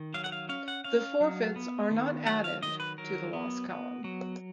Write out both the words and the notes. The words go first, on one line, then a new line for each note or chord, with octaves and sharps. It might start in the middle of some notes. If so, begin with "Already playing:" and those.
The forfeits are not added to the loss column.
Already playing: D#3
F#3 F5
F#5
F5
C#4 F5
F#5
C#4 F5
F#3
B3
D#3
F#3 F#5
F5
D#3 D#5
B4
F#3 A#4
B3
B3
F#3